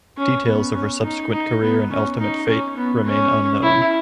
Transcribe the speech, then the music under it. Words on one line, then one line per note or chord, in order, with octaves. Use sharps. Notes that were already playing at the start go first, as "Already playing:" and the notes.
Details of her subsequent career and ultimate fate remain unknown.
C#4
B3
C#4
D#4
D#4
B3
C#4
D#4
C#4
B3
C#4
E4